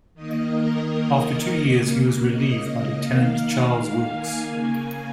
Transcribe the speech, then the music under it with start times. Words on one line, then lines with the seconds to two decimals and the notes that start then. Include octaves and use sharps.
After two years he was relieved by Lieutenant Charles Wilkes.
0.14 D#3 A#3 D#5
0.51 A#4
1.59 C#3 A#3
2.31 D#5
3.04 D#3 A#3 F5
4.13 G#5
4.49 C#3 A#3 G#5